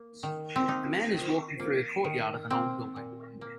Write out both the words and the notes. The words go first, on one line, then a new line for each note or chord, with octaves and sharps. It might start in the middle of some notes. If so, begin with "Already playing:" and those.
A man is walking through the courtyard of an old building.
Already playing: A#3
D#3
C4
A#3 D#4
D#3
A#3
D#3
A#3 C4
A#2
A#3